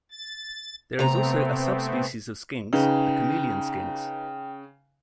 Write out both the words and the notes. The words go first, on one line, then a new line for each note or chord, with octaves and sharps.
There is also a sub-species of skinks, the chameleon skinks.
A6
C3 A3 B3 C4 A#5
C#3 D#4 B4 G5